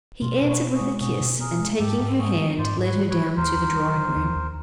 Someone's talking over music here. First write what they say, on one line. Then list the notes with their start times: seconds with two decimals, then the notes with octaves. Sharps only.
He answered with a kiss, and, taking her hand, led her down to the drawing-room.
0.21 B2 F4
0.42 B2
0.48 E4 F#4
0.60 B3
0.74 F#4 G#4
0.81 G#3
1.00 B2 F#4 G#4
1.21 B2
1.39 B3 G#4 A#4
1.60 G#3
1.79 G#2 G4 A4
1.99 G#2
2.19 A3 F#4 G#4
2.38 F3
2.58 G#2 C5 D5
2.78 G#2
2.84 B4 C#5
2.97 A3
3.10 B4 C#5
3.18 F3
3.36 D#2 A#4 C5
3.56 D#2
3.76 F#3
3.95 D3
4.16 D#2
4.36 D#2